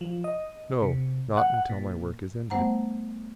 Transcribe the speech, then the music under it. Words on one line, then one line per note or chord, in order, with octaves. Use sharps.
"No; not until my work is ended."
F3
D#5
C3
F#5
F#5
A#2
G3 A3 B3 C5 F#5 A#5